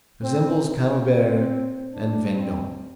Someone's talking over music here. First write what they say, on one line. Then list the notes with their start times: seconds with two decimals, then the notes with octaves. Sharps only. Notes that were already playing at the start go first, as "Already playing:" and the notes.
Resembles Camembert and Vendome.
0.23 C4
1.08 C4
1.93 D4
2.36 C4